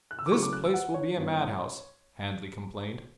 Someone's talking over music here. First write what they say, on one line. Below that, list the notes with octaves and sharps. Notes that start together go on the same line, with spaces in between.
"This place will be a madhouse," Handley complained.
F#6
E6
D6
C#3 F#3 A3 C#6
D6
F#6
E6
F#5
C#5
G2 E3 B3